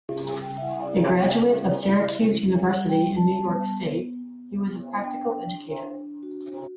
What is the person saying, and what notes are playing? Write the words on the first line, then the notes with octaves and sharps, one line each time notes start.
A graduate of Syracuse University in New York state, he was a practical educator.
G3
G5
E5
E4 F#5
D5
B3 C#5
G3
E4 D5
G3
G3 F#5
G5
G3
A5
B3
B3
B3
B3
D4 G5
D4
D4
F#4